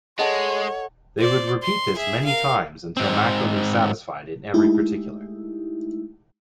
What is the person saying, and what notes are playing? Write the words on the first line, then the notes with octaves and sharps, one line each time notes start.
They would repeat this many times until Macklin was satisfied in every particular.
G#3 A4 C#5 D#5 F#5 G#5 A5
C5 D5
C6
G#4 E5
A#4 F5
G#2 C4
G#3 A3 D#4 E4 G4